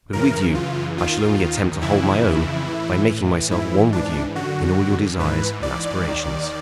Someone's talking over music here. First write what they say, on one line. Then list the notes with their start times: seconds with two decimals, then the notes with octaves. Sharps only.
But with you I shall only attempt to hold my own by making myself one with you in all your desires and aspirations.
0.13 F#2 C#3 E3 A#4
0.55 F4
0.97 D#2 D#3 F4
1.81 F2 C#3 E3 E4
2.67 A2 E3
3.51 G#2 E3 E4
3.93 D4
4.36 F#2 D3 F#4
5.20 G#2 E3 B4
5.63 D5
6.04 D#2 D#3